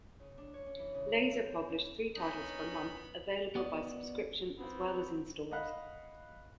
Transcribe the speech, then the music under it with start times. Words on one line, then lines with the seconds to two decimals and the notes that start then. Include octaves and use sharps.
Laser published three titles per month, available by subscription as well as in stores.
0.20 C#3
0.38 D4
0.54 C#5
0.66 C#4
0.79 E3
0.95 C#3
1.17 B3
1.31 A4
1.44 C5
1.68 C#4
2.16 B3 C#4 D#4 B5
3.55 B3 F#4 D5 D#5
4.59 B3 C4
5.51 D#5 F5 F#5 B5 F#6